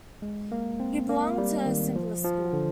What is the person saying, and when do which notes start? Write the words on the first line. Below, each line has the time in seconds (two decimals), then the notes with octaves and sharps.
He belonged to the Symbolist school.
0.22 G#3
0.52 A#3
0.80 C4
1.09 A#3
1.38 G3
1.66 D#3
1.96 F3
2.24 F3
2.53 D3